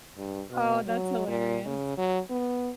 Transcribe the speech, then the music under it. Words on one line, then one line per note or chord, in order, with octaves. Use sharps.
Oh, that's hilarious.
G2
B2
F#3
A#2
C#3
F#3
B3